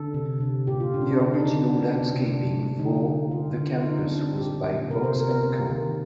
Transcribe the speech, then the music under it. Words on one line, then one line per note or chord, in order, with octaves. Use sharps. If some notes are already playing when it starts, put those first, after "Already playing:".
The original landscaping for the campus was by Vaux and Co..
Already playing: D3 A4
C3
C3
A#2 G4
F4
A#2 D4
C4
D4
D3 D4
D#4
D3
D4
C4 D4
D4
C3 C4
D4
C3
C3
D3 D#4
D3
D3 F4
D3
F4
D3 D#4
D4
D3 C4
C4
A#2 G4
A#2
C3 A#4
C5
C3 A#4
A#4
A#3 C4
D#3